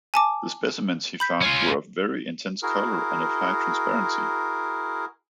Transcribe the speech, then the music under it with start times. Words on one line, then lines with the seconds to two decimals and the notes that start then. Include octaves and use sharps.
The specimens he found were of very intense color and of high transparency.
0.14 G#5 A5 D6
1.20 B5 G6 B6
1.41 C#4 F4
2.63 E4 F#4 G#4 A#4